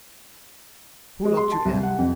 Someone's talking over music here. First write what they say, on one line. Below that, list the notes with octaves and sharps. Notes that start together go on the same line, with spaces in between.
"Who locked you in?"
G#3
C6
A5
C2
F#5
F2